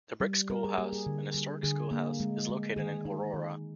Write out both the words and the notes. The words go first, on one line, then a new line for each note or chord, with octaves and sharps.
The Brick School House, an historic schoolhouse, is located in Aurora.
G3
G3 A#4
G#4
A#3 G4
G#4
D3
G3
D3 G#4
A#3
G#3
G#3
D#3 G#4
G#3 D#4
D#3